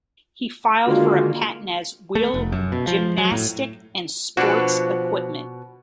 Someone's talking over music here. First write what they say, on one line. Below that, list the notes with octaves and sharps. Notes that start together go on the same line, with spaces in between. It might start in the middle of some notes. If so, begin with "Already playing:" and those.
He filed for a patent as "wheel-gymnastic and sports equipment".
D3 D#3 G#3 A#3 F4 F#4
A3
F1
F#2
B2
F3
F#3
A2
B2 F3 B3 D4 F#4